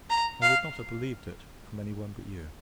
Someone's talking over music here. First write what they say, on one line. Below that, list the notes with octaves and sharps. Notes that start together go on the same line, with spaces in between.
I would not have believed it, from any one but you!
A#5
F5